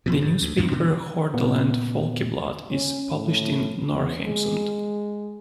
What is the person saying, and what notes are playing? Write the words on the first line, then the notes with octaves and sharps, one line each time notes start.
The newspaper "Hordaland Folkeblad" is published in Norheimsund.
E1 F2 B2
G#2
D2
E2 G2 B2 F3
B2 D3 D#3
A#2 B3
C#4
A2
E2
G#3